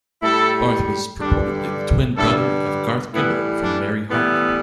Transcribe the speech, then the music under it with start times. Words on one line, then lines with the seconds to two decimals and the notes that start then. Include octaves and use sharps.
Barth was purportedly the twin brother of Garth Gimble from "Mary Hartman".
0.22 A2 G3 E4 A4
1.19 G2 D3 G3 D4
2.16 G2 D3 G3 E4 A4
3.13 A2 E3 G3 B3 E4
3.62 D4
4.10 A2 E3 G3 B3 E4